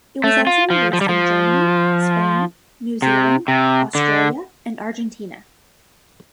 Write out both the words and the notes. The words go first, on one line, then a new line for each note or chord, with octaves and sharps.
It was also released in Germany, Spain, New Zealand, Australia and Argentina.
A3
F4
F3
F3
G3
F3
C3
C3
D3